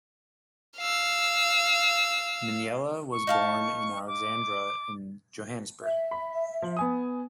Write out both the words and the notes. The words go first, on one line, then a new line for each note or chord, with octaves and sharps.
Mnyele was born in Alexandra, in Johannesburg.
F5 E6
C#6
D#4 F5 A5
D6
E5
B5
F3
B3 G#5 D#6